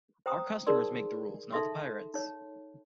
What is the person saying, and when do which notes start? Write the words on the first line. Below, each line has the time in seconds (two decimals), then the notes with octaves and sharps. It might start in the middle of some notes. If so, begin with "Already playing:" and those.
Our customers make the rules, not the pirates.
0.26 C5 G5 A#5 D#6
0.67 D#4 G#4 A#4 D5 C6
1.53 D#4 A4 E5 C6
2.14 D#4 C#5